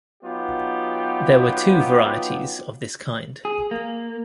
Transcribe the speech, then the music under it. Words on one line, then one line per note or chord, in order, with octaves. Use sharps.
There were two varieties of this kind.
F#3 B3 D#4 F4 G4
G#4
A#3